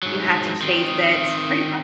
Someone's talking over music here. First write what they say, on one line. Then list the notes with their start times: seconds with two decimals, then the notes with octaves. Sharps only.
you have to chase it pretty much
0.03 G#2 F#3
0.62 D#3 C4